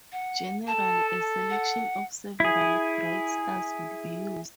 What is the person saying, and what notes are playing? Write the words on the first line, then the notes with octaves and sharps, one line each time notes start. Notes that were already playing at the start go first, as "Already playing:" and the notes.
Generally, a selection of several bright stars would be used.
F#5
A4 A5
F#5
E4 G#4